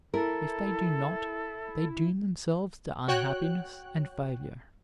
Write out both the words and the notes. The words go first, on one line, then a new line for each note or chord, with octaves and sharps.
If they do not, they doom themselves to unhappiness and failure.
E4 A4 A#4
F#4 C#5 G5 F#6